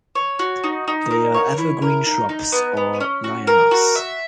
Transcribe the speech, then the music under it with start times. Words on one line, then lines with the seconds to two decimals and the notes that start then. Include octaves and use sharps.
They are evergreen shrubs or lianas.
0.15 C#5
0.39 F#4
0.64 D#4
0.88 D#4
1.11 A#4
1.34 C#5
1.58 E4
1.82 A#4
2.06 D#4
2.29 D#4
2.52 B3
2.77 B3
3.00 C#4
3.24 F#4
3.47 A#4
3.71 F#4
3.95 E5